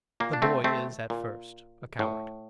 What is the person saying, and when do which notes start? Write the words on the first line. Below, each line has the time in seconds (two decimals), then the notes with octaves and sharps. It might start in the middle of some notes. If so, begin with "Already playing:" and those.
The boy is at first a coward.
0.20 A#2 A#3
0.33 D4
0.42 A3 C4
0.64 A3 C4
1.10 A#2
1.99 A2